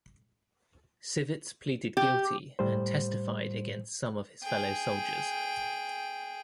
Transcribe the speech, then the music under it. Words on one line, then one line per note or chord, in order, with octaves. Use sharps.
Sivits pleaded guilty and testified against some of his fellow soldiers.
G4
A2 G3 C5
G#4 G5